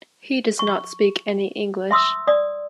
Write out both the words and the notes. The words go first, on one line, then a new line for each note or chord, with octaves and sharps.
He does not speak any English.
C#6
E5 C6 D#6 E6
D5 D#6